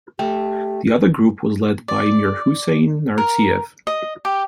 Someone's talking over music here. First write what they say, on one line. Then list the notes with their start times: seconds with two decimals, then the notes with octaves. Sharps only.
The other group was led by Mirhuseyn Narziev.
0.19 A3 G4 G5
1.88 D5
3.18 A#4
3.87 D#5
4.25 G4